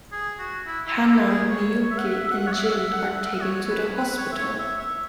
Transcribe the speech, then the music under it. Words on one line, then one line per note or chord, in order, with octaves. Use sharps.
Hana, Miyuki, and Gin are taken to the hospital.
G#4
F#4
E4
E4
E4
G#4
C#5
E5
F#5
E5
E5
F#5
C#5
E5
F#5
E5
F#5
E5
F#5
E5
C#5
B4
B4
C#5
E5
C#5
E5
E5